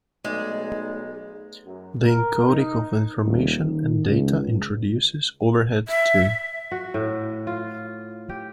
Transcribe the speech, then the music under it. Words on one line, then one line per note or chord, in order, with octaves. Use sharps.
The encoding of information and data introduces overhead too.
B1 G#3 A3 D#4 D5
F#2
A#4
D#4
D#1
D#3
C#2
E5
F#4
A2
F4
G4